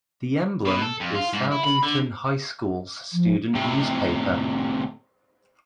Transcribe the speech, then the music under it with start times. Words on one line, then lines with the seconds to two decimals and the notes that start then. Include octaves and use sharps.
"The Emblem" is Southington High School's student newspaper.
0.65 B2
0.82 A4
1.00 F2
1.15 F4
1.33 G#2
1.52 E4
1.64 B5
1.83 D3
3.13 F3
3.55 A2 C3